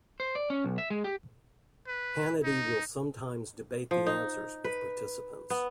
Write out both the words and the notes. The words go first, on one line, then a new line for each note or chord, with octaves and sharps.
Hannity will sometimes debate the answers with participants.
C5
D5
C#4
B1
E5
G#3
G4
B4
D#4
F3
D#4
B4
B3